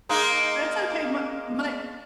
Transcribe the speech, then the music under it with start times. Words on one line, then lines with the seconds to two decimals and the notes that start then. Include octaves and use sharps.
That's okay. My my m
0.09 G#3 A#3 D#4